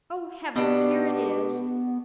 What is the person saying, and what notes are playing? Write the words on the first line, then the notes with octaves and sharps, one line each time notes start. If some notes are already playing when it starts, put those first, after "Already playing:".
"Oh, heavens, here it is!"
B2 B3 D4 G4